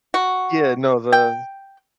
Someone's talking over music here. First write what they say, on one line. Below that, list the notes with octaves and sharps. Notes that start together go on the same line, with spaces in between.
Yeah, no the
F#4
G5